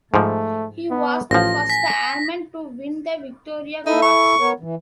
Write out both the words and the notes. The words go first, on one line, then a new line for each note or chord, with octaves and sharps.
He was the first airman to win the Victoria Cross.
G#2 F3 A3
B3
A1 F3 F4 A#6
G#5 B6
D#4 E4 A4 E5
C#6
B3 A#4 C#5
E3